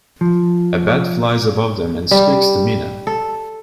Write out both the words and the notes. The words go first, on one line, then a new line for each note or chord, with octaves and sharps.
A bat flies above them and squeaks to Mina.
F3
G3
A4